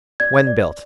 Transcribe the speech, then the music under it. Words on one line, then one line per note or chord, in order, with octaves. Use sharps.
When built?
D5 G#6
D5